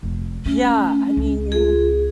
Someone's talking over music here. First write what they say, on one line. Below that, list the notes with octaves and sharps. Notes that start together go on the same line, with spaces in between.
Yeah, I mean
F1
A3 C#4
C#2
F4 G#4